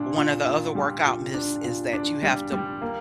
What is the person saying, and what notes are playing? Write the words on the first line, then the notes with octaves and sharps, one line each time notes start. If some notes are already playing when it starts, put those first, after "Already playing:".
one of the other workout myths is that you have to
Already playing: A#2 D4
A#2
A#2
G3
A#2
D4
A#2
D4
G3
G3
A#3